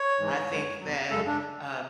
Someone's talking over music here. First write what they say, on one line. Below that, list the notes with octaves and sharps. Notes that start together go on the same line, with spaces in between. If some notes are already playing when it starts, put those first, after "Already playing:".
I think that, uh,
Already playing: C#5
G#2 E3 G#3
F#2 D3 G#3
E2 B2 F#3
F#2 C#3 G#3 A4
D4